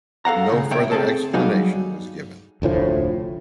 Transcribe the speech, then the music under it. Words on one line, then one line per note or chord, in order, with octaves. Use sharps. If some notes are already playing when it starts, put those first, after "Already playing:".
No further explanation was given.
A4 F5 F#5 A#5
A2 C#3
C3 A3 C#5 E5 G5
C4 G#4 A4 A5
F#3 G3 D#4 F#4 G#4 F5
F1 D2 A2 F3